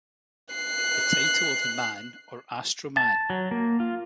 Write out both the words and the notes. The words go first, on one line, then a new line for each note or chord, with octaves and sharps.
The title of the Man or Astro-man?
F#6 C7
A5
F#3
A#3
F4